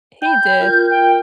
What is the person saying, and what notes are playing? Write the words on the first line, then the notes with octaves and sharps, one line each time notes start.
He did,
G5 B5 G6
F4 A#4
G5